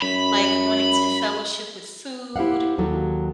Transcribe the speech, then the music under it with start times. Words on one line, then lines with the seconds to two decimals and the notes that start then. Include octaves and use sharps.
like, wanting to fellowship with food
0.02 F#2 B5
2.36 E4 G4 C5 F5 F#5
2.78 D#2 F#3 A4